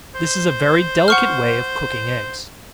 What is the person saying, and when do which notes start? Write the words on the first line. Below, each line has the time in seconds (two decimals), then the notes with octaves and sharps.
This is a very delicate way of cooking eggs.
0.15 C5
1.08 F#5 C#6 F6